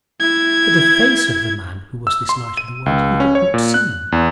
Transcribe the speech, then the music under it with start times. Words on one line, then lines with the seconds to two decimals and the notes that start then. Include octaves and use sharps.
But the face of the man who was this light of the world he had not seen.
0.20 E4 G#6
2.07 E6
2.29 C6
2.57 D#7
2.86 C#2
3.20 C#4
3.35 C#5
3.54 A#2
3.74 F#6
4.12 E2